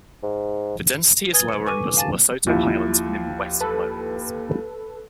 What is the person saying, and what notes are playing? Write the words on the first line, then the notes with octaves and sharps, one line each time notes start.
The density is lower in the Lesotho Highlands than in the western lowlands.
G#2
B4 G#5 D#6 G#6 A6 G7
C#7
A4 B4 G#5 C#6 D6 D#7
D6
F5 G#5 A5 A6
D#2 F3 E4
A4 B4